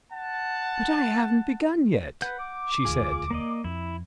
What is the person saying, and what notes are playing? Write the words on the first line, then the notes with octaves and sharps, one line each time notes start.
"But I haven't begun yet," she said.
F#5 A5
B4 F#5 G6
D6
E1 D2 F4 G#4
A#3 D5 D#5
F2 E4